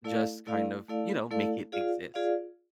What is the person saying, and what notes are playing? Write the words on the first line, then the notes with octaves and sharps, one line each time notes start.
just kind of, you know, make it exist.
A3 E4 A4 D5 F5
A3 E4 A4 D5 F5
A3 E4 A4 D5 F5
A3 E4 A4 D5 F5
F4 G#4 D5 F5
F4 G#4 D5 F5